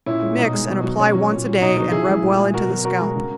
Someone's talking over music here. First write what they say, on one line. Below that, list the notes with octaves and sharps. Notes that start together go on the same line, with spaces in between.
Mix and apply once a day, and rub well into the scalp.
A#2 C#4 E4
G#3
B2 D#4
G#3
B2
F#3
B2 C#4
F#3
A#2
F#3
B2 D#4
F#3
C#3 E4 G#4
E3 G#3
A#2
G#3
B2 F#4 A#4
F#3
B2 F#4 A#4
G#3
C#3